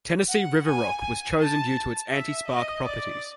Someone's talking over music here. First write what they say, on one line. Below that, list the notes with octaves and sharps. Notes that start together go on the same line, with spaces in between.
Tennessee river rock was chosen due to its anti spark properties.
F#5
G#5
G#5
A5
E5
D#5
D5